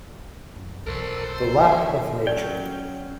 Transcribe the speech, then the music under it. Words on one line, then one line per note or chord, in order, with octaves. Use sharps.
The lap of Nature!
F#2
B1 E2 A4 A#4 C5
C5
D#3 C#4 E5
F#3 C#4 D5 G5